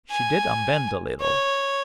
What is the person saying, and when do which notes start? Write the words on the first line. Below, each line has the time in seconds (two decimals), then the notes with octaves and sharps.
She did unbend a little.
0.11 G#5
1.21 C#5